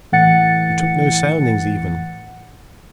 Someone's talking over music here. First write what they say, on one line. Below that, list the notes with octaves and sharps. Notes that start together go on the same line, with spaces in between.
You took no soundings even.
A2 E3 F#5 A6 C#7